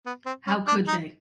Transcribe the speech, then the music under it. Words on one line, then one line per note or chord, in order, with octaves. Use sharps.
How could they?
B3
C4
C#4
D4
D#4